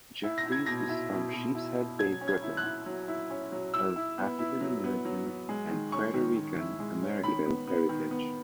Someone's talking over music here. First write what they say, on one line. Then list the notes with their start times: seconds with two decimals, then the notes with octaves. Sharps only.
Jeffreys is from Sheepshead Bay, Brooklyn, of African American and Puerto Rican American heritage.
0.24 E4
0.38 A#6
0.46 E4
0.52 G#6
0.66 B2 A#6
0.89 E4
1.12 B2
1.33 B2
1.55 E4
1.78 B2
1.99 F#3 G#6
2.21 C#4
2.28 G#6
2.43 E4
2.57 F#6
2.64 E4
2.86 F#3
3.08 E4
3.30 C#4
3.52 F#3
3.74 E4 E6
3.96 E4
4.18 B3
4.39 E4
4.61 F#3
4.84 B3
5.05 F#3
5.27 F#3
5.49 G#3
5.70 D#3
5.92 C#4 C#6
6.14 D#3
6.37 D#3
6.58 E4
6.80 G#3
7.03 C#4
7.23 D#3 B5
7.46 B3
7.67 B3
7.89 D#3
8.11 B3